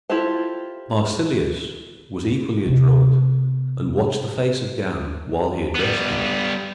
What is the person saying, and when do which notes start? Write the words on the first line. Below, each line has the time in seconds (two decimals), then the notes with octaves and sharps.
Marsilius was equally adroit, and watched the face of Gan while he addressed him.
0.10 E4 F4 G4 A4 C5
2.66 C3 B3
5.75 G3 B3